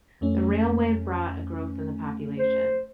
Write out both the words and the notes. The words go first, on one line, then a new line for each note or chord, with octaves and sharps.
The railway brought a growth in the population.
F2 A3 C#4
C5